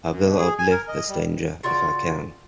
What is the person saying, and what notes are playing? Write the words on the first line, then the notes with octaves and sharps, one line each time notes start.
I will outlive this danger, if I can.
F#2
B2
G#4
G#5
A#4
D#5
G3
C#3 F4 F#4 D5